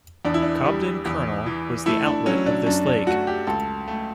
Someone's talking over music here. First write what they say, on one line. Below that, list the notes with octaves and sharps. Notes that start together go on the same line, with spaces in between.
Cobden Colonel was the outlet of this lake.
E2 D4
E4
D4
G3
E2
E3
A3 E4
D4
F#3 C#4
D4
F#2 D4
D4
A3 F#4
G4
C#2 A4
A3